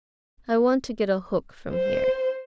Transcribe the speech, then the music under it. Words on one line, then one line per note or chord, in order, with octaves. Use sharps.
I want to get a hook from here.
C5